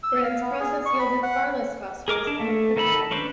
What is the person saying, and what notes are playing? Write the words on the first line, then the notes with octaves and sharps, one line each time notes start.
Brand's process yielded far less phosphorus than it could have done.
E6
F5
B3
G#4
C#6
B5
F#5
G#4 A#4 D6
D4
A3
D#3 D#4 A4 B5
C#4 D4 B4 C5